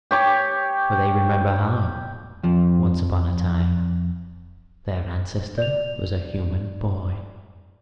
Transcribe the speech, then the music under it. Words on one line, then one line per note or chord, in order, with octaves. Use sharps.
For they remember how, once upon a time, their ancestor was a human boy.
G4 C#5 D6
F2 F3
D5 F7